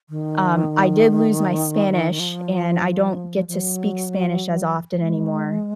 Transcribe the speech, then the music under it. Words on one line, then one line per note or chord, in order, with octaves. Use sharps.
um, I did lose my Spanish, and I don't get to speak Spanish as often anymore.
D#3
F3
F3
F#3
G#3